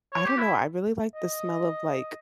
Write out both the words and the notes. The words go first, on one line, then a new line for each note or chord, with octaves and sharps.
I don't know. I really like the smell of, like,
C#5
G4
E4
D#5